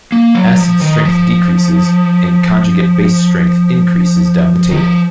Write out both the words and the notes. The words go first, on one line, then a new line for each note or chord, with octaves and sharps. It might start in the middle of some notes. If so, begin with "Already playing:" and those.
Acid strength decreases and conjugate base strength increases down the table.
A#3
F#3
F3
D#3
F3
D#3
F3